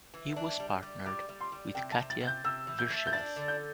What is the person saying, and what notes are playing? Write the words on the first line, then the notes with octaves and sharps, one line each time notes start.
He was partnered with Katya Virshilas.
E3
D4
G3
G3
G3 D6
G3
C6
G3
C3 G5
A5
C3
A6
C3
G6
C3 E6
E3
G6
A3
G6
D4 A6
D3
G6